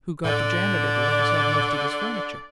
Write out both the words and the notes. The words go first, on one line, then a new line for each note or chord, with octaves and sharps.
Who got the janitor to let us have most of this furniture?
A2 D3 D5